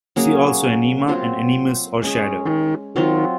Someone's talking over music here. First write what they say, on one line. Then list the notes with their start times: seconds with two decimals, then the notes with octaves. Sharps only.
See also anima and animus or shadow.
0.16 F#3 A#3 C#4 G#4
1.08 F#3 C4 F4 C5
2.02 G#3 C#4 G#4
2.96 F#3 C4 F4